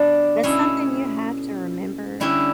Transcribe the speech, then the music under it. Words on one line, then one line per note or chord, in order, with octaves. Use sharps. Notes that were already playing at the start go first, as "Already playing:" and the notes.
That's something you have to remember.
Already playing: D3 G3 B3 D4
B2 A3 C#4 E4
D3 G3 C#4 E4